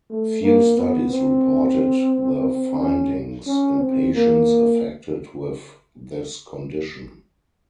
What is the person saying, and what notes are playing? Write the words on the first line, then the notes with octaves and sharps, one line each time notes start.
Few studies reported the findings in patients affected with this condition.
A3
A#3
B3
C4
C#4
C#4
C4
A#3